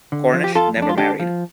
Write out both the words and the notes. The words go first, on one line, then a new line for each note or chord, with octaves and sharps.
Cornish never married.
D3
F3
G4
F2 F4 A4
F2
D4
F4
D3 D4 G4
F3